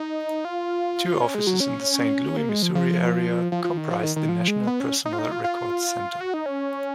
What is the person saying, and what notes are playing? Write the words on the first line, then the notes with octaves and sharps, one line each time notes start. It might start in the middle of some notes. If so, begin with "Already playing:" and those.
Two offices in the Saint Louis, Missouri area comprise the National Personnel Records Center.
Already playing: D#4
F4
C#4
G#3
F#3
C#4
A#3
G#3
F3
F3
F3
F3
D#3
F3
D#3
D#3
F3
G#3
B3
C#4
D#4
F4
D#4
F4
F4
F#4
D#4
C#4